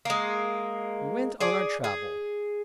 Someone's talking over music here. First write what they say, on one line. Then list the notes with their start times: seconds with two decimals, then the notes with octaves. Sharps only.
We went on our travel.
0.05 G#3 A#3
1.40 G#4 D5
1.84 G#4